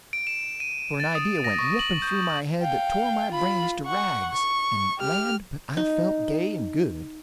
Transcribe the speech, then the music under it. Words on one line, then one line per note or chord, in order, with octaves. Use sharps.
For an idea went ripping through my head that tore my brains to rags--and land, but I felt gay and good!
D7
E7
D#7
A6
D#6
A#6
C#6
F#7
G6
F5 G5
F4 B5
F#5 C#6
C#6
G4 F6
D#4